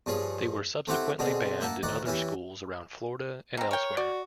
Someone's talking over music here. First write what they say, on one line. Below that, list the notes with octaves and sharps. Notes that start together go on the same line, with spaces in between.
They were subsequently banned in other schools around Florida and elsewhere.
G2 F3 G#4 C#5
A3 C4 E4 G4 F#5 G5
B2 D3 C4 G#4
A#3 E5 F#5 A5
D2 D#3 D5 F#5
E3 C#4 E4 G4
B2 C4 A#5
A#4 C#5 G5
F#4 D5